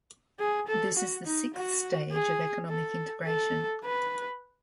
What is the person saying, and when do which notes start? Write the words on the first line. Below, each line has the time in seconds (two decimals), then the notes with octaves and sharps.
This is the sixth stage of economic integration.
0.39 G#4
0.68 A4
0.97 F#4
1.25 D#4
1.54 F#4
2.12 G#4
2.69 A4
3.27 A4
3.85 B4